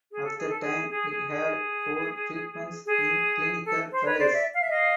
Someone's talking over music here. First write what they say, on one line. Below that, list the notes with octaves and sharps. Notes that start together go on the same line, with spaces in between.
At that time it had four treatments in clinical trials.
G#4
A4
G#4
A4
G#4
G#4
G#4
G#4
G#4
A4
C5
B4 C#5
C5 D5
D5 E5
F5
E5
D#5 F5